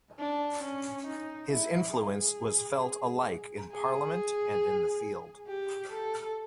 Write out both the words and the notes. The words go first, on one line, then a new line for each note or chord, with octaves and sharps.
His influence was felt alike in parliament and in the field.
D4
C#4
D#4
E4
G#4
G#4
G4
A4